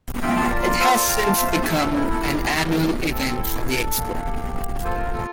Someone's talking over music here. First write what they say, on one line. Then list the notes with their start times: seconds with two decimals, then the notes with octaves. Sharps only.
It has since become an annual event for the expo.
0.22 F4 E5 G5
0.36 F5 A5
0.50 F4 A#4 D5
0.66 A#4 D5
0.79 F4 A4 C5
0.94 A#4 D5
1.08 F4 G5 A#5
1.23 F5 A5
1.37 A3 C5 E5
1.52 A4 C5
1.66 A3
1.81 A4
1.95 E4 A#4
2.10 A4
2.23 G4 A#4
2.39 A#4
2.53 G4
2.82 A3
3.10 C4 A4
3.40 E4
3.68 D4
3.98 A#3
4.26 G4
4.55 A#3
4.83 F4 A4 C5
4.98 A#4
5.12 F4 A4